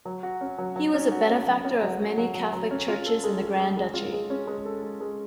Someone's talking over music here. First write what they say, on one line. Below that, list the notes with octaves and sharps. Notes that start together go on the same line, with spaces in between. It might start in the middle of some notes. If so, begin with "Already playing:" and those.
He was a benefactor of many catholic churches in the Grand Duchy.
F#3
F#4
C#4
F#3
F#3
C#4
F#4
C#4
F#3
C#4
F#3
F#4
F#3
F#3
F#3
C#4
F4
A4
G#3
F4
G#3
G#3
F4
G#3
C#4
G#3
A4
G#3
G#3